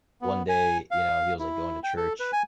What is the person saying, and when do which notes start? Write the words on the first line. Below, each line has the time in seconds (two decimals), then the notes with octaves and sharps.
one day, you know, he was, like, going to church
0.21 B3
0.49 G#5
0.91 F5
1.39 E4
1.83 G5
1.97 A4
2.20 B4
2.33 G#5